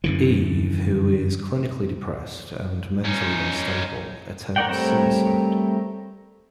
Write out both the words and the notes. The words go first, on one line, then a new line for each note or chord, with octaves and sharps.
Eve, who is clinically depressed and mentally unstable, attempts suicide.
F#2 D3 E3
C#4 D#4
A#4 C#5 D5 F#5 G5
G3 A3 C4 A#4 C#5